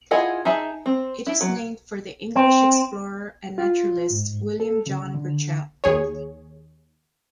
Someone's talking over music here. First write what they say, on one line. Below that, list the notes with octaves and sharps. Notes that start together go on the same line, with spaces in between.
It is named for the English explorer and naturalist William John Burchell.
E4 F4 G#4 D#5 F#5
D#4 G#4 E5 A5
C4
E4
F#3
C4
F4
G#2
A4
C#3
D3
D#2 G#4 C#5